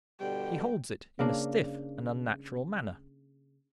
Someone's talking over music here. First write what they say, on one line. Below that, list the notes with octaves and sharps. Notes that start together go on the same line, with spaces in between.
He holds it in a stiff and unnatural manner.
B2 D3 G3 G5
C#3 A#3 D4